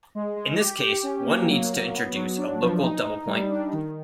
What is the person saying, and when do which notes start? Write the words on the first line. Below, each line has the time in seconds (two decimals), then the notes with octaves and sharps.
In this case, one needs to introduce a local double point.
0.15 G#3
0.36 G#3
0.59 G4
0.81 G4
1.03 C#4
1.26 A#3
1.49 F#3
1.71 F#3
1.93 B3
2.15 F#3
2.38 D4
2.61 F3
2.82 D#4
3.04 D#4
3.27 G3
3.49 D4
3.73 D#3